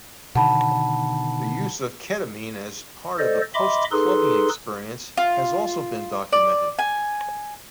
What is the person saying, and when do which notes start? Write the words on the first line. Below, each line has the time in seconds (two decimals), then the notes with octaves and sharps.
The use of ketamine as part of a "postclubbing experience" has also been documented.
0.35 B2 D3 D#3 F#5 A5 B5
3.18 A4 C5 D5 D#5
3.54 D#5 E5 B5 C6 D6
3.92 D#4 G#4 A4 B4 C6
5.17 F4
6.33 D5
6.79 G#5